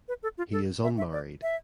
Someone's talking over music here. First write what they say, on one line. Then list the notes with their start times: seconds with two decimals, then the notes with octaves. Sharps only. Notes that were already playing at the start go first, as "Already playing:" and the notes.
He is unmarried.
0.08 B4
0.23 A4
0.38 F4
0.53 A4
0.84 E5
0.98 E5
1.13 D5
1.43 E5